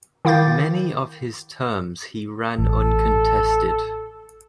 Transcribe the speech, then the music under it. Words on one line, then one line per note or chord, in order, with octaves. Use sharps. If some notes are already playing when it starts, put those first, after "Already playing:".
Many of his terms he ran uncontested.
D#3 E4 F5 D6 G6 A6
A1 A4